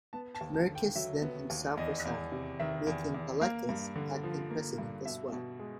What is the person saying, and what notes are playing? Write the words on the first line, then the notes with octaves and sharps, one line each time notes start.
Merkys then himself resigned, making Paleckis acting president as well.
B3 A5
A5
D#2
A5
D3
G5
F#3 E5
B3
D#2
E2 D#5
E2
C3
D#3 E5
E2
E2
A#3 F5
G2
D3
F3
A#3
G2
B2 E5
B2
G#3